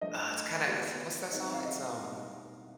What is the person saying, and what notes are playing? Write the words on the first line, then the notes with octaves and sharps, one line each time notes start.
Uh, it's kinda it's what's that song? It's, um,
F3 A3 D4 D#5
G#3 B3 D#4 F#4 B4 D5
C#5
D5
D#3 G#3 C4 D#4 D#5
E5
F#5
F5
D#5
B2 G3 A#3 D#4